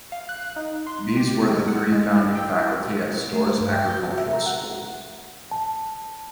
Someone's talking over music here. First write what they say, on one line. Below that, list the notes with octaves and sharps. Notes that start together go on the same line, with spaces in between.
These were the three founding faculty at Storrs Agricultural School.
F5
F#6
D#4
C6
G4
G#3
F#5
G#3
G5
E4
A3
C5
G2
G5
G6
F#4
E5
A#5
F#5
A5